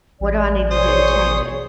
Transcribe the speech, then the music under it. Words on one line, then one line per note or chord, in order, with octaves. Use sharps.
what do I need to do to change it,
A1 D5
B2 G#4 C5 C#5 D#6